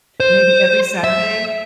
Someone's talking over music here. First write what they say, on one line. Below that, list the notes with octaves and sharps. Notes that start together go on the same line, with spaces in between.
maybe every Saturday
C5
E5